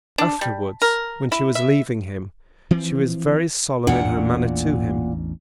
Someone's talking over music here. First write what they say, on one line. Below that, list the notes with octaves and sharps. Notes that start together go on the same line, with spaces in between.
Afterwards, when she was leaving him, she was very solemn in her manner to him.
D4
G3
A#4
E4
E5
E3 F3 C4
A1 E2 A#2 D4 F#5